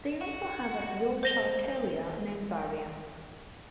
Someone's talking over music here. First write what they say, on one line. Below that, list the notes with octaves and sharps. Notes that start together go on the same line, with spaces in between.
They also have a Yorkshire Terrier named Varia.
F#4
C5 A#6 G7